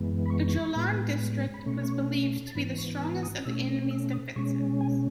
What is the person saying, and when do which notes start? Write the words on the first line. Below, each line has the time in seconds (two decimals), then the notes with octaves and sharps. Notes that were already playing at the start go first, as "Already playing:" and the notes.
The Jolan District was believed to be the strongest of the enemy's defenses.
Already playing: F#2 E3 G#3 B3
0.26 B5
0.30 C#6
0.76 A2 G#3 B3
1.54 B5
1.65 B2 A3 C#4 C#6
2.47 A5
2.55 G#2 E3 B3 B5
2.78 C#6
2.96 D#6
3.00 E6
3.23 D#6
3.45 B2 A3 C#4 E6
3.91 E6
4.13 D#6
4.36 B2 G#3 C#4 C#6
4.81 G#5